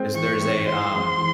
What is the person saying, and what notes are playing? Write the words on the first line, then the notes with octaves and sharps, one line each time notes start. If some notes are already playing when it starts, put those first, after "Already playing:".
is there's a, um,
Already playing: G#3 C4
E3 C#6
G#3 C4
E3 C6
G#3 C4
E3